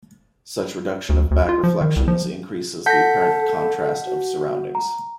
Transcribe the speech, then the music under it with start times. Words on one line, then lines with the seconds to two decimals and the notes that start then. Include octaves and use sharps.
Such reduction of back reflections increases the apparent contrast of surroundings.
1.09 D2
1.31 D2
1.49 F4
1.63 F3
1.81 D#3
1.96 C2
2.08 F3
2.86 A4 F#5 A5 G6 A#6 B6
3.23 A5
4.06 F#4
4.75 A#5